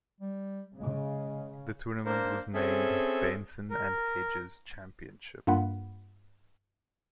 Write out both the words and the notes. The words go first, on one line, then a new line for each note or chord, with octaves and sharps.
The tournament was named Benson and Hedges Championship.
G3
C#3 G#3
A#3 D4 A#4 C5
C4 C#4 G#4 A4 E5
A#4
G2 A#3 F4 F#5 B5